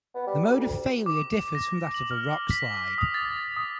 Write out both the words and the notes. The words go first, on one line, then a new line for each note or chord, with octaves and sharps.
The mode of failure differs from that of a rockslide.
B3
G3
D2
D6
A#6
F#7
F6
B6
D#6
A6
D#6